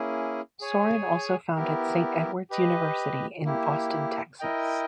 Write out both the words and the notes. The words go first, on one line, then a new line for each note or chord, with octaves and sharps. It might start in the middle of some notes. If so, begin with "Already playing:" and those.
Sorin also founded Saint Edward's University in Austin, Texas.
Already playing: A#3 C#4 E4 G#4
G#4 C#5 G#5
B3 E4 G4 A#4
G4 B4 D#5
A#3 E4 G4
E4 A#4 D#5 G5